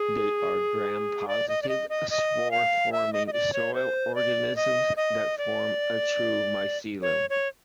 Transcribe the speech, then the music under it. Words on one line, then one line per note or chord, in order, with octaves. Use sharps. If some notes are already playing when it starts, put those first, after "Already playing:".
They are gram-positive, spore-forming soil organisms that form a true mycelium.
Already playing: G#4
D5
D#5
D5
D#5
D#5
D#5
F5
E5
D#5
D#5
D5
C#5
C5
D5
D#5
D#5
D5
C#5
C#5